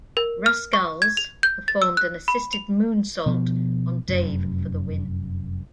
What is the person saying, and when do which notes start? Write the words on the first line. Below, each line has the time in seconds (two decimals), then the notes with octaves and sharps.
Rascalz performed an assisted moonsault on Dave for the win.
0.17 A#4
0.46 F6
0.73 C#6
1.02 G#6
1.17 F7
1.43 G6
1.68 A6
1.82 E6
1.97 F#6
2.28 B5
2.53 F7
3.26 B2 F3 B3
4.09 F1 F#2